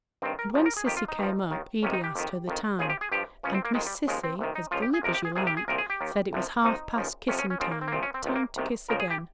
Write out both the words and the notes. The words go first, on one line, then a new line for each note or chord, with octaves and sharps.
And when Cissy came up Edy asked her the time and Miss Cissy, as glib as you like, said it was half past kissing time, time to kiss again.
G2 D#3 C4
A#4
F2 C#3 F3
A#4
G#4
F2 D#3 G4
F4
D#4
G2 F3
D#2 D#3
F2 C3 D#3 C#4
D#4
G4
F2 D#3
F2 D#3
D#2 C#3 F3 G#4
G4
G#4
G2 F3 G4
C#2 C#3 F3 C#4
C4
A#3
F2 D#3 G#3
G3
D#2 C#3 F3 G#3
C4
C2 C3 D#3
D#4
C#2 C#3 F3 F4
G4
G#4
F2 C3 F3 A#4
G4
G#4
C2 C3 F3 G#4
G4
G#4
C2 A#2 F3 A#4
G#4
G4
D#2 D#3
C2 C3 F3
C2 C3 F3 D#4
D#2 C#3 F3
F2 C3 F3 C#4
C#4
C#4
D#2 C#3 F3 C4
A#3
C4
A#3
C2 A#2 F3 C4
C#4
C4
C#2 C3 D#3
A#3
C2 C3 D#3
C#2 C#3 F3 A#4
G#4
G4